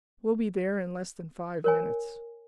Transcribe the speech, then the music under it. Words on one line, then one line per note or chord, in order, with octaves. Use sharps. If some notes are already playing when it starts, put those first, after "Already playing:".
"We'll be there in less than five minutes."
A#4 C#5 G#5